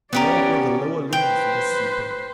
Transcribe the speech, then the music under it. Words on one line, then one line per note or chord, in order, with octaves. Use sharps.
Nor were the lower limbs less superb.
B3 C#4 G4 A#4 D5
B4 C5 G5